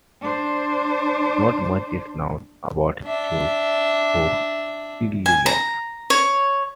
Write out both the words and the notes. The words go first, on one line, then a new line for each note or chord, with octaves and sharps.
Not much is known about Choe Woo's early life.
D4 C5
D4 E5
G#5
A#5
C#5